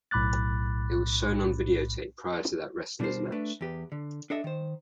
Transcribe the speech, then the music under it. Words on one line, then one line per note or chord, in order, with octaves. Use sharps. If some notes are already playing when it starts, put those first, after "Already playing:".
It was shown on videotape prior to that wrestler's match.
B1 A2 B5 D6 F#6 A6
B2 G3 D4 A#4 C5
A3 D4 B4
E2 G4 B4
D3
D4 A4 D#5 E5
D#3 C5